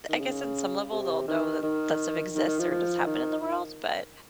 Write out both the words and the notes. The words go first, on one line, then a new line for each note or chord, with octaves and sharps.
I guess on some level, they'll know that, that stuff exists or does happen in the world, but,
D#3
C#3
C3
D#3
D#3
D#3
D#3
F3
F3
D#3